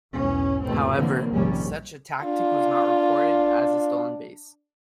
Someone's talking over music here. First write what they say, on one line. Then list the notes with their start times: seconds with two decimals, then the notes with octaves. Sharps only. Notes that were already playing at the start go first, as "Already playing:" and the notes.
However, such a tactic was not recorded as a stolen base.
0.14 B1 E2 G#2 C#4
0.63 E2 G#2 B2 A3 C4
0.95 D3 E3 F#3 A#3 C4
1.31 A#1 D#2 G#2 C3 G3 C#4
2.25 D4 F4